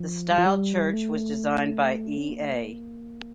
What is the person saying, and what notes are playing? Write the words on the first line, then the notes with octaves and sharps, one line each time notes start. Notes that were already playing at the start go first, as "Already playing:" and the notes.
The style church was designed by E. A.
Already playing: F3
G3
F3
G3
A3
C#4
A#3
A3
A#3